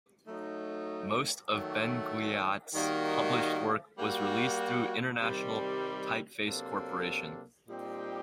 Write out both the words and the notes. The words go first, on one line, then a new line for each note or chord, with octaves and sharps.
Most of Benguiat's published work was released through International Typeface Corporation.
F#3 A3 D#4
D#3 F#3 A3
D#3 G3 A#3 D#4 F#4
G3 A#3 F#4
C3 D#3 G3
C3 F#3 A#3 D4 A4
A#2 G3 C4 D#4 G4